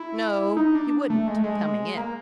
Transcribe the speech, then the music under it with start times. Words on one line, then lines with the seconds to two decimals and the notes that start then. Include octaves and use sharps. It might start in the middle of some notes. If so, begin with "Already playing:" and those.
"No, he wouldn't, coming in."
Already playing: E4
0.57 D#4
0.75 D4
1.10 A3
1.28 G#3
1.36 A3
1.44 G#3
1.97 A#3